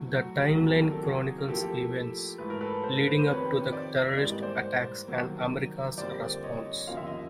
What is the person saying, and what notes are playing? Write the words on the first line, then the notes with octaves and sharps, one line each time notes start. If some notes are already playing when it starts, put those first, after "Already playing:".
The timeline chronicles events leading up to the terrorist attacks and America's response.
Already playing: A2 F#3 A3
F#4
G4
A#4
E2 C3 D#3 F#3 A#3 G4 A4
A#4
A4
F#4 G#4
A#4
A2 F3 A#3 G4 A4
G#2 E3 A3 B4
A#4
A4 B4
A#4 C5
A#4
B4
C5
F2 C3 D#3 B4 C#5
C5 D5
G#2 E3 G3 A#3 D5
D#5
C5 D5
G2 D#3 F#3 A#3
F2 D3 G3 A#3 C5 D5
C#5 D#5
D#2 C#3 F3 A#3 F5
E5
D#5